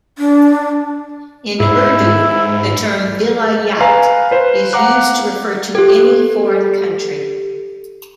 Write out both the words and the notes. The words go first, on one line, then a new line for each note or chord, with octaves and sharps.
In Urdu, the term "Vilayat" is used to refer to any foreign country.
D4
G#2 E4
B4 F5 G#5 A#5
B4 C5
F5 F#5 A#5 D6 F#6
G4 A4